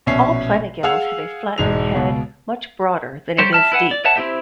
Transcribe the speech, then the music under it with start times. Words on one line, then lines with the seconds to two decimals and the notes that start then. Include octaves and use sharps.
All planigales have a flattened head, much broader than it is deep.
0.06 A#1 B2 C#4 E5 C7
0.83 G#4 F5 F#5 E6 F7
1.58 E1 G#2 G#3 G#4 F7
1.93 C#2 B2
3.38 G3 G4 C5 C#5
3.53 E5 A5 F6
3.72 E4 B4 F#5 G#5
3.91 D5
4.04 B4 C#5 E5 F#5 A5
4.16 C4 E4 G4 C5 E5